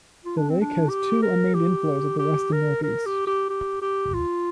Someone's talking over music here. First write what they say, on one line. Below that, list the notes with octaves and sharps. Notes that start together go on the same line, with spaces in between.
The lake has two unnamed inflows at the west and northeast.
F4
D4
C4
D4
G4
A#4
G4
G4
A#4
A#4
G4
G4
G4
G4
F4